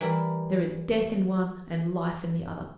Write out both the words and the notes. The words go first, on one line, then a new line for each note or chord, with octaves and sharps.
There is death in one and life in the other.
E3 G3 A#4 E5 B5